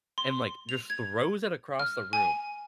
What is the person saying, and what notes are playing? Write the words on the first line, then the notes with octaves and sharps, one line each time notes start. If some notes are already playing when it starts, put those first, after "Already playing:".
and, like, just throws it across the room,
C6
F7
G#6
F6
G#5